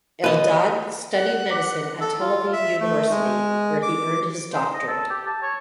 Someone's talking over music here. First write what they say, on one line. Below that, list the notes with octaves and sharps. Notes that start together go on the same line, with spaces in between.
Eldad studied medicine at Tel Aviv University, where he earned his doctorate.
B4 D#5
F#5
D6 B6
A4
F4
E5
A3
G#3
D6
C5
D#5
A4
G4
A5
C#5